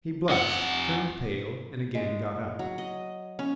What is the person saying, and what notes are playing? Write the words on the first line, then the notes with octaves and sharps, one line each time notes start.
He blushed, turned pale, and again got up.
F2 F#5
G#3
F#3
D#5
C#4